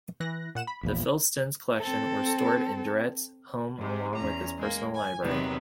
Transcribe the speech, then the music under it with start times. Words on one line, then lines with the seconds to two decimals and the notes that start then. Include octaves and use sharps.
The Filson's collections were stored in Durrett's home along with his personal library.
0.20 E3 F#6 A#6
0.55 A#2 F#5 E7
0.67 B5
0.83 A#1 E2 A#2
1.78 C4 A4
3.76 G#2 C3
4.15 E2 C#4 A#5
4.57 G#3 A#3
4.93 G#5
5.22 E2 C3 D#3 F#3 B3